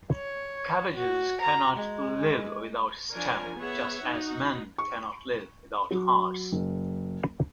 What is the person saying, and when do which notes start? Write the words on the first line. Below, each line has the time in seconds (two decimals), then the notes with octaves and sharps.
Cabbages cannot live without stems just as men cannot live without hearts.
0.14 C#5
0.96 F#4
1.41 A#5
1.77 G#3
3.12 F3 D4 A#4 C#5 G#5
3.57 B3 G#4 C#5 E5 F#5
4.05 D#4 F#4
4.78 C#6
5.91 F#3
6.52 F#1